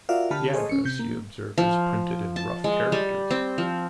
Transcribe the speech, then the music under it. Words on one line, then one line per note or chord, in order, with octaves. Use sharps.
The address, you observe is printed in rough characters.
F4 F#4 A#4 D5 E5 F5
D3 G4 A5 B5 F6
G#4 A4 C5 C#5 D#5
C#4 C#7
C3 G6
A#3
F3
A5
G#3
G3
C4
F3